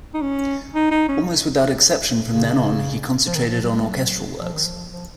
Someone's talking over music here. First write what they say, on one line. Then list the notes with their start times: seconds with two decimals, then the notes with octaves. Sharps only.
Almost without exception from then on, he concentrated on orchestral works.
0.14 D#4
0.21 C#4
0.74 D#4
0.91 D#4
1.08 C#4
2.31 C#3
3.27 F3
3.35 D#3
3.48 F3
3.62 F#3
3.75 G#3
3.87 F#3
4.40 F3
4.53 D#3
4.65 F3
4.92 F3